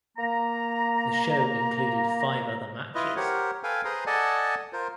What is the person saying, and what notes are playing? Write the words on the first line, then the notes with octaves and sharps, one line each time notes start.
The show included five other matches.
A#3 A#5
E4 F4 B4 D#5
G4 A#4 C5 C#5 F#5
A4 B4 F5 G5 G#5
G#4 B4 C5 A#5 C6 D#6
A4 D5 D#5 F#5 G#5 A5
F4 A#4 C5